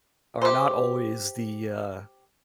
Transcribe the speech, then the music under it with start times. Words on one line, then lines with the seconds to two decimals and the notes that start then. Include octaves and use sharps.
are not always the uh
0.42 G4 C5